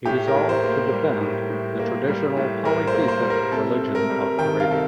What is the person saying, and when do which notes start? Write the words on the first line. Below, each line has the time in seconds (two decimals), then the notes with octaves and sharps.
He resolved to defend the traditional polytheistic religion of Arabia.
0.06 A2 G4
0.27 A#4
0.34 A2
0.49 C5
0.63 A#3
0.92 G3
1.21 A2
1.50 A2
1.79 A#3
2.08 G3
2.37 A2
2.65 A2 A#4
2.87 C5
2.95 A#3
3.08 C5
3.23 G3
3.30 A#4
3.52 C3 A4
3.81 C3
3.95 A#4
4.10 G3
4.39 D#3 G5
4.60 F5
4.68 C3 A4